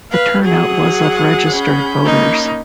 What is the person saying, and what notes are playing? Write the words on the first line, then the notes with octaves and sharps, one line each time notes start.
The turnout was of registered voters.
B4 F5
F#3 G#4 F#5 D#6
C#4 B5 G6
A#3 D#4